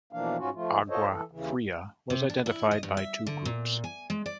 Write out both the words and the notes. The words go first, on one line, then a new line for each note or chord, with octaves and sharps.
Agua Fria was identified by two groups.
B2 E3 F3 A#3 D4 F5
G#2 C#4 F4 F#4
F3 A3 F4
F4 A4 C5 C#5 D#5
E3 A4
D#2 C#3 E3
C3
D4
E4
D#5
G2
E5
D3
A#2
G#5
G#3
D5